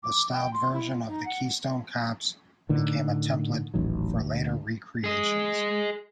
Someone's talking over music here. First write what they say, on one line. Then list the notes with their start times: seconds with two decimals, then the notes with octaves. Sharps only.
The Staub version of the Keystone Cops became a template for later re-creations.
0.03 D6
0.33 G5
0.53 C6
0.73 E4
0.91 F4
1.08 D#4
1.25 F#5
2.69 A2 D3 D#3
3.74 D#1 A1 D#3 F#3
4.18 D2
5.04 G#4 D#5